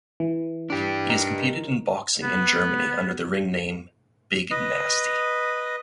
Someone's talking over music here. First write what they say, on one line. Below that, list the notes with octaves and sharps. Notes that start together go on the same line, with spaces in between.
He has competed in boxing in Germany under the ring name "Big Nasty".
E3
D4 G4
D#4 A#4
B3
B4 D#5